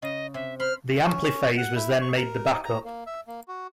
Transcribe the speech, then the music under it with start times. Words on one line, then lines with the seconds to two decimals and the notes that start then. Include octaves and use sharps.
The Ampliphase was then made the back-up.
0.02 C#3 D#5
0.34 C3 E5
0.60 C5 B5 C6 F6
1.04 C#4
1.57 F#5
1.76 E4
2.01 C#6
2.17 A#4
2.51 D#4
2.65 A#5
2.85 A#3
3.06 E5
3.27 A#3
3.48 F#4